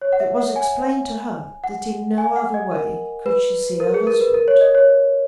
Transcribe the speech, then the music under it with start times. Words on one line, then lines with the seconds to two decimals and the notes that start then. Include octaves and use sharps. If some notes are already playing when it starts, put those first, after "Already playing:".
It was explained to her that in no other way could she see her husband.
0.02 C#5
0.13 F#5
0.20 E5
0.38 F#5
0.56 G#5
1.64 F#5
2.18 G#5
2.36 F#5
2.54 D#5
2.71 A#4
3.26 B4
3.80 A#4
3.94 G#4
4.07 A#4
4.21 B4
4.34 A#4
4.48 C#5
4.61 D#5
4.75 C#5